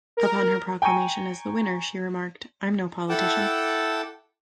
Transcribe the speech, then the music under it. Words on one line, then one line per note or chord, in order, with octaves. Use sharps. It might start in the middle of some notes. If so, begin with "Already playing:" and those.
Upon her proclamation as the winner, she remarked, I'm no politician.
A#4
G5 G#5 A#5 C#6 D#7
E4 A4 F#5 G5 A5 D6